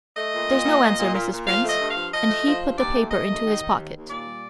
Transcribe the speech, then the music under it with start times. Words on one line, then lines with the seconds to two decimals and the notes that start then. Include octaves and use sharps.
"There's no answer, Mrs. Prince," and he put the paper into his pocket.
0.16 A3 D#5
0.32 A#2
0.49 A#2
0.65 A#2
0.81 A#2
0.98 A#2
1.14 A#2
1.31 A#2
1.47 F3 F5
1.64 A3
1.69 D#5
1.80 G2
1.91 F5
1.96 F3
2.12 F3 D#5
2.29 A3
2.46 F3
2.62 G2
2.78 D#2 D5
2.95 A3
3.11 A3 D#5
3.27 D#2
3.44 D#3
3.60 D#3
3.77 D#2
3.94 D#2
4.10 A#2 D5
4.26 G3